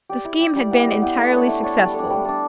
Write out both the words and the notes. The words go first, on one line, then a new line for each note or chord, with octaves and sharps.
The scheme had been entirely successful.
G4 D5
E4
G4 D5
G3
B3 E4 G4
G3
B3 E4 G4
A3
D4 A4 C#5
A3
D4 A4 C#5
G3
D4 A4
G3
D4 A4